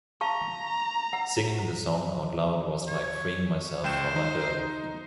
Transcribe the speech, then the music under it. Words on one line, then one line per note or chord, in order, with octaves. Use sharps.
Singing the song out loud was like freeing myself from my burden.
F5 A5 A#5 C#6
F#5
C#5
C#2 C5 G5 E7
D#4